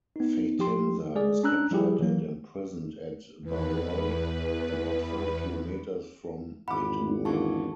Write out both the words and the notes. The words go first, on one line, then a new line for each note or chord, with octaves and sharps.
Fatansa was captured and imprisoned at Barroi, about five kilometers from Metu.
B3 D#4
F3 G4 C6
G#3 G#4 D5
C#4 D4 A#5 E6 F#6
F3 G3 E4 G4 G#4
E3 F#3 A#3
E2 B4
G#1 E2 F#5 B5 D6
D3 E3 A#3 A5 C#6